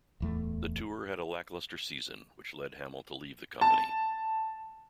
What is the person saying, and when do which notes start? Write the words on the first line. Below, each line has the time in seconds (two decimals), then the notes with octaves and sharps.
The tour had a lackluster season which led Hamill to leave the company.
0.20 D1 E2 A3
3.61 A5